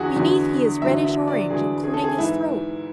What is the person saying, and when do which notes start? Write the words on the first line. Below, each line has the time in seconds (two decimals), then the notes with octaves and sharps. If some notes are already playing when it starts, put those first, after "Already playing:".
Beneath he is reddish-orange, including his throat.
Already playing: E2 D3 F#4 G#4
0.15 E2 D3 F#3
0.82 E2 D3 F#3 E5
1.05 E5
1.28 D5
1.50 E2 D3 F#3 G#4
1.84 G#4
1.94 A4
2.04 G#4
2.18 G#2 E3 E4